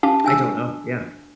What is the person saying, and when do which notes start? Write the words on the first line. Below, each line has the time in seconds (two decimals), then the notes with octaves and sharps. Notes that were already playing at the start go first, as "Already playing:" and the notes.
I don't know, yeah.
0.03 C#4 G4 F5 A5
0.24 D4 G#5 E6